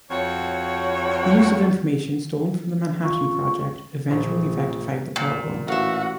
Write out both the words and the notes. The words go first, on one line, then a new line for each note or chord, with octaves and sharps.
The use of information stolen from the Manhattan Project eventually rectified the problem.
F2 F#4 C#5
F4 C#6
A#1
A#2
A1 F#4 E5 F5